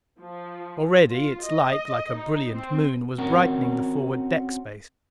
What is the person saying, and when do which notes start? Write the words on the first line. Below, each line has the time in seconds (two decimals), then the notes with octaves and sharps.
Already its light, like a brilliant moon, was brightening the forward deck space.
0.19 F3
1.09 F4
1.44 D#5
2.17 D#4
2.52 C4
3.18 C4 C#4 F#4 A#4